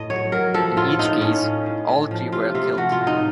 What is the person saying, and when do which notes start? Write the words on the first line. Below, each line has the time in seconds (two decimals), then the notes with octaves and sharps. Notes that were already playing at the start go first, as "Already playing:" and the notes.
In each case, all crew were killed.
Already playing: A2 D#5
0.10 F#3 C#5
0.32 F#3 A#4
0.54 F3 A4
0.77 A2 F4
0.99 A2 D#4
1.21 A2 C#4
1.43 A2
1.66 A2
1.88 A2
2.11 F3
2.32 C3 F4
2.55 C3 F4
2.77 F3 F#4
2.92 F4
3.00 A2
3.07 D#4